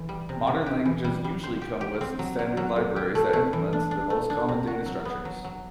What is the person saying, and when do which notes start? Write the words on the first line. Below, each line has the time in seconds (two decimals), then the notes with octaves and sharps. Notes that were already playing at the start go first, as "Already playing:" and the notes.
Modern languages usually come with standard libraries that implement the most common data structures.
Already playing: E3
0.09 G3
0.29 C3
0.47 C3
0.66 G4
0.86 E3
1.04 G3
1.25 G3
1.43 C5
1.62 G4
1.81 G4
2.01 C4
2.19 F#3
2.39 F#3
2.57 F#3
2.76 A2
2.96 G4
3.15 A3
3.33 A3
3.53 E3
3.73 D4
3.91 D4
4.10 A3
4.30 D4
4.49 C3
4.67 F#4
4.86 F#3
5.05 B3
5.25 F#3
5.44 F#3